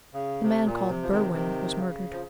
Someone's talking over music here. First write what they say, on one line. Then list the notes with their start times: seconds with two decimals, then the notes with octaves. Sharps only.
"The man called Berwin was murdered."
0.14 C#3
0.43 C3
0.66 A#2
0.88 C3
1.02 F3
1.10 C3 D#3
1.33 C3 D#3
1.77 C#3
2.12 F3